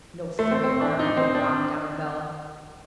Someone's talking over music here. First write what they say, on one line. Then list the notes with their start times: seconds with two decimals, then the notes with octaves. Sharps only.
No single arm could have knocked down Bela.
0.39 A3
0.51 C4
0.64 C4
0.81 D4
0.99 D#4
1.17 C4
1.35 D4